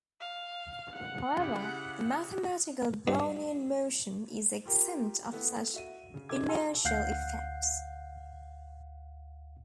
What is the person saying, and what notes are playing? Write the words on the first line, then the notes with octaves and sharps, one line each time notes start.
However the mathematical "Brownian motion" is exempt of such inertial effects.
F5
F#5
C#3 E4 G4 F#5
G2
F4 G4 A#4
A3 B3 E4
F#4 E5 D#7
C#3
C3 D#4 E4 A4 D6 G#6
F4 G#4 G#5 A5 C6 E6
D2 F5 F#5 F#6 G6 C7